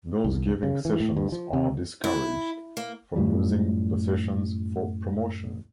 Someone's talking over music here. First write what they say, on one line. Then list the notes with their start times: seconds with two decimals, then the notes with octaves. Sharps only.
Those giving sessions are discouraged from using the sessions for promotion.
0.24 C2
0.63 C#3
0.85 E3
1.00 A2
1.17 G2
1.32 F3
1.53 C3
2.04 E4
2.77 A#3
3.16 F#2 A2 F3 G3